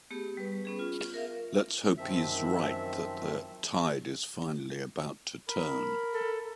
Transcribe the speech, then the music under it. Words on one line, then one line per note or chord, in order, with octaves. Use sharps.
Let’s hope he is right that the tide is finally about to turn.
A3 B3 G4 G#4
G3 B4
B3 C#4 G#4
F4
A#4 E5 F5
F#2 D#3 F3 C4 E5
A#4 B5
A4